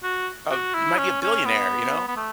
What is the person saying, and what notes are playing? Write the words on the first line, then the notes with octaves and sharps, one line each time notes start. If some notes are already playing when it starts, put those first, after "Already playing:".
uh, you might be a billionaire, you know?
F#4
F#4
E4
C#4
C#4
B3
B3
A3